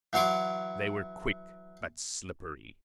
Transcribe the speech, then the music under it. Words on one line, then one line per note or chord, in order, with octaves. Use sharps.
They were quick, but slippery.
E3 F#3 C#5 C6 D6